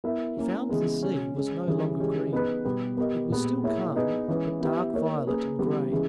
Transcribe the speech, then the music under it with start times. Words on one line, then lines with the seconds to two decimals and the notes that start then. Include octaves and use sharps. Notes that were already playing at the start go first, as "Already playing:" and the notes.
He found the sea was no longer green; it was still calm, but dark violet and gray.
0.04 B3 E4 A#4 E5
0.36 A#3 C#4 E4
0.69 C#3 E3 G#3 B3
1.01 C#3 G#3 C#4
1.34 C#3 G#3 C#4
1.67 E3 G3 C#4 G#4
2.00 C#3 E3 G#3 C#4 G4
2.33 B3 D#4 G#4 B4
2.65 B2 G3 B3 G4 B4
2.97 B3 G4 A#4 D#5
3.30 A#2 G#3 B3 G4
3.63 A#3 E4 G#4 C#5 E5
3.96 B3 D#4 G#4 B4
4.28 E3 G#3 C#4 G#4 B4
4.60 B3 E4 G4 B4 E5
4.94 A#3 D#4 A#4 C#5
5.26 A#3 C#4 G#4 B4
5.59 C#3 E3 G3 B3 G4
5.91 C#3 E3 G#3